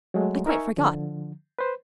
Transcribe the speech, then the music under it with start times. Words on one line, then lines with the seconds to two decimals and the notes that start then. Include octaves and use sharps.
I quite forgot!
0.14 F#3 G#3 A3
0.46 D#4 A#4 E5 G#5 C#6
0.77 D3 F3
1.59 B4 C5